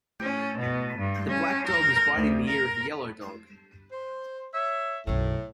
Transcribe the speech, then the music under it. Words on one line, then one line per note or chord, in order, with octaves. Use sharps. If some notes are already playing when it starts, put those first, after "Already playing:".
The black dog is biting the ear of the yellow dog.
C#4
B2
G2
C#4
A#4
D2
A#4
C5
C#5 E5
B1 F#2 A2